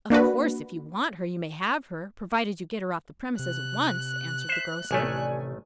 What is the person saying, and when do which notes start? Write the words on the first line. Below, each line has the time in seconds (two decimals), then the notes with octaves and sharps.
"Of course if you want her you may have her, provided you get her off the premises at once," answered the grocer.
0.10 A#3 D4 F#4 B4
3.39 C3 F#6
4.49 C5 E5
4.91 A1 C3 D#3 A3 D5 G#5